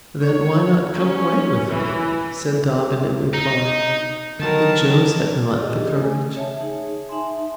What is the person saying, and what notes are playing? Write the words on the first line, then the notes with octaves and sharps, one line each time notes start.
"Then, why not come away with me?" said Dobbin in reply; but Jos had not the courage.
C#5
C#4
E3
D#4
D3 D#3 F#3 B3 A#4 A5
D4 G4 G#4 D5 D#5
A3 G#5
C#5 E5 A5
D#4 G#4
D#4 E5 G#5 A5 C6